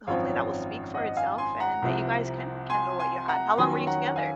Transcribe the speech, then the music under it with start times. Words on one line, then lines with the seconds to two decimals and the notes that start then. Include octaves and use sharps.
hopefully that will speak for itself and that you guys can rekindle what you had. How long were you together?
0.07 G#1 F#2 F3 C4 C#5 F5
0.94 D#5 F#5
1.17 F5 G#5
1.38 G#5 C6
1.60 F#5 A#5
1.82 C2 C3 F3 C4
2.70 G#5 C6
2.99 G#5 C6
3.28 F#5 A#5
3.57 F2 D#3 F#3 C#4 G#5 C6
3.87 F#5 A#5
4.16 F5 G#5